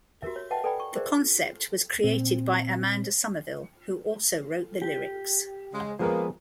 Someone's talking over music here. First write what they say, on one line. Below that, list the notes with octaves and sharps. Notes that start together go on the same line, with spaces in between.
The concept was created by Amanda Somerville who also wrote the lyrics.
F#4 G4 A#4 E5
C#5
B4 D#5 E5 F#5 G5 A5
A4 B4 D5 G5 G#5 B5
C#6
G#4 A#4 C5 D5 E5
A#2 C4
G4
C#3 G#3
F3 G#3 A#3 B3 A#4